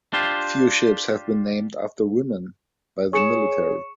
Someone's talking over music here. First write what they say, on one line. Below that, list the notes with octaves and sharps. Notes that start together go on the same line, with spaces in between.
Few ships have been named after women by the military.
D4 F4 G4 C5
G#4 C#5 C#6 C#7 E7